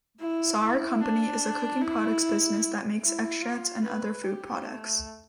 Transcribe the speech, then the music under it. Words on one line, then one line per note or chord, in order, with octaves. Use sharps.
Sauer Company is a cooking products business that makes extracts and other food products.
E4
E4
D4
E4
E4
F4
B4
G4
A3